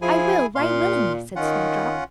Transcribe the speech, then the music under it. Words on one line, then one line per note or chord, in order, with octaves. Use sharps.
"I will, right willingly," said Snowdrop.
F3 E4 G#4 G#5
A#2 F5 C6
D#3 C#4 F4 F#5